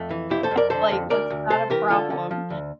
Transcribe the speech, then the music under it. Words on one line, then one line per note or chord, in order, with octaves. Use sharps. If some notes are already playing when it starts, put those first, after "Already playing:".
I'm like, "That's not a problem."
Already playing: F2 A3
E3
F2 E4 G4
A4 C5
F2
A#4 D5
D3 A4 C5
F2
D2 A#4 D5
D2
C3 A4 C5
E3 G4 A#4
D3 F4 A4
D3
F3
D2